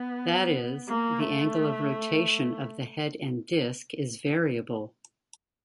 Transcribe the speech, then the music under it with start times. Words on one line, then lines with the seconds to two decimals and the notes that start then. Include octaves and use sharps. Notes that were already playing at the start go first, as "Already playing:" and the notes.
That is, the angle of rotation of the head and disk is variable.
Already playing: B3
0.89 A#3
1.20 A3